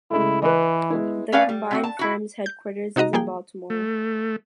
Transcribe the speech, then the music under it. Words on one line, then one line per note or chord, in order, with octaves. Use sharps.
The combined firms' headquarters is in Baltimore.
C#3 G#3 A3 E4
E3 B4 D#5
G#3 B3 E4
A3 C#4 B4 D5 F5
G3
B2 C4 F#4
A5
E4 F#4
G6
C3 D#4 F#4 D#5 A#5
F3 G3 A#3 G#4 G5
A3